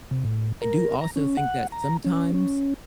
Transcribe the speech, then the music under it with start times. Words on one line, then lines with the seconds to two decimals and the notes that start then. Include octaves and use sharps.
I do also think that sometimes
0.11 C3
0.25 A2
0.62 A#4
1.01 A#5
1.16 C#4
1.37 F#5
1.72 A#5
2.04 C#4
2.34 C#4